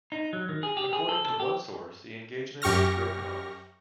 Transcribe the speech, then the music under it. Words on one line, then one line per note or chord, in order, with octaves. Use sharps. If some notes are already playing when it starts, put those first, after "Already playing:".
According to one source the engagement was broken off.
D#4
F#3
D#3
G#4
G4
G#4
A4
A4
G4
F#2 G4 C#6 F6 A#6